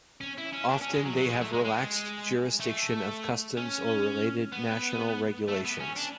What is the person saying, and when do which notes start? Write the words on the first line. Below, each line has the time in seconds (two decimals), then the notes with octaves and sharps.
Often they have relaxed jurisdiction of customs or related national regulations.
0.21 C#4
0.38 E4
0.53 C#4
0.69 D4
0.81 C#4
0.93 G#3
1.05 F#3
1.17 F#3
1.29 G#3
1.41 A3
1.53 G#3
1.65 G#3
2.60 A3
3.57 C#4
4.52 B3
5.48 A3
5.65 B3
5.80 C#4
5.96 D4